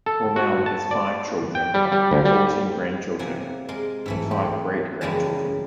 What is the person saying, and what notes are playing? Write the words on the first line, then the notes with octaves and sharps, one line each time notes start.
Hormel has five children, fourteen grandchildren, and five great-grandchildren.
A4
F#4
A5
D5
G5
G3
G3
D2
G3
C3 A#3 F#5 G#5
G#3 A#4 D5 C6
G#2 E3 A3
G4
F#2 C#3 E3 G3 G#3 A5